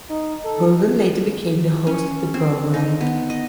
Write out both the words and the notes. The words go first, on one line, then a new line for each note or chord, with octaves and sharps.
Bergen later became the host of the program.
D#4
A4
C#4
C4
D#4
B3
D#5